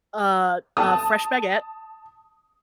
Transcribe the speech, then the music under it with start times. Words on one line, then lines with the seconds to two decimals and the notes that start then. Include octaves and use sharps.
a a fresh baguette,
0.77 A5 D#6